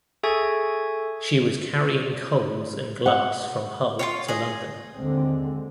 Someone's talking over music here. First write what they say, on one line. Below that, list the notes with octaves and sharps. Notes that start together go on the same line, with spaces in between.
She was carrying coals and glass from Hull to London.
G#4 A4 E5 G#5 C#6 G#6
F#5
F4 F#4 C#5
G#4 D#5
D#2 D3 G#3 C4